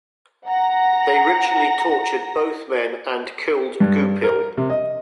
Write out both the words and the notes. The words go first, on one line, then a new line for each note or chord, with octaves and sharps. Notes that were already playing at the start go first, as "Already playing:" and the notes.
They ritually tortured both men and killed Goupil.
F#5 A#5 A#6
G2
A#4
C3
D#5